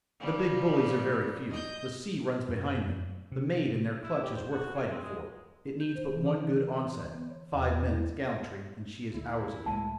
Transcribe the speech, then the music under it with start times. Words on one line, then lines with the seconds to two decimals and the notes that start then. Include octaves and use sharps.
The big bullies are very few; the sea runs behind them; the maid in their clutch is worth fighting for; it needs but one good onset, five minutes' gallantry, and she is ours again.
0.20 F3 G3
1.50 D#5 G6
2.49 F#2
3.32 C3
4.03 E4
4.23 G4
4.36 C5
4.52 F#4
4.75 G#4
4.91 C4
5.03 G#3
5.80 G6
5.95 C5
6.13 E3
6.26 D6
6.46 D3
6.75 C#5
6.90 C6
7.14 B3
7.31 C#5
7.53 E2
7.88 E4
9.14 D2 E4
9.66 C#2 A2 G#3 A#3 A5